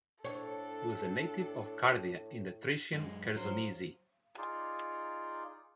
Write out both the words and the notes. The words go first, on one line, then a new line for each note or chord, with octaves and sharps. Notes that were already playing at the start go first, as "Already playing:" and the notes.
He was a native of Cardia in the Thracian Chersonese.
A2 D4 A4 C#5
F#2 G#3
F#3 F4 C5
D#4 F4 G#4 D5